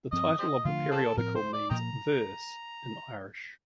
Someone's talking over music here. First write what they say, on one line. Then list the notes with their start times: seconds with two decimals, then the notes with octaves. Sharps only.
The title of the periodical means "verse" in Irish.
0.12 G2 F3 C4 D#5
0.39 G4 C5 D#5
0.65 D3 F3 A3 D4 F4
0.91 C4 F4 A4
1.17 A2 F3 C4 A#4
1.35 C5
1.53 D5
1.70 A#2 F3 A#3 D#5 G5 A#5